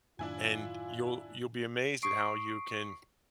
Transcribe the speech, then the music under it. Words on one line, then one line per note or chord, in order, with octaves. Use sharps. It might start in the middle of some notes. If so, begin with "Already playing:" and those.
and you'll you'll be amazed at how you can
F#2 A2 D#3 D4 E4 F4 G#5
C#6 D#6 C7 D7